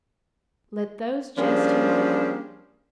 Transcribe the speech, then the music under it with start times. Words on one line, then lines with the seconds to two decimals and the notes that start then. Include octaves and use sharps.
Let those jest who will.
1.38 F3 G3 A#3 C#4 D4 G#4